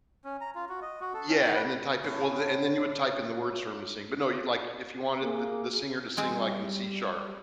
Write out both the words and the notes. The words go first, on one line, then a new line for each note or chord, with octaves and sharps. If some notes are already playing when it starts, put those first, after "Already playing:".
Yeah, and then type it well, and then you would type in the words for him to sing, but no, you'd like if you wanted the the singer to sing, like, in C sharp,
C#4
A#5
F4
F#4
D#5
F#4
A4
C#4
G5
B4
A2 C#4
A#3 G#4
G3 G#3 C4 G#4